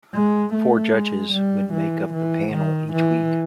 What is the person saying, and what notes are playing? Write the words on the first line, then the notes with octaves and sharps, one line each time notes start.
Four judges would make up the panel each week.
G#3
A3
G#3
G3
E3
E3
D#3
E3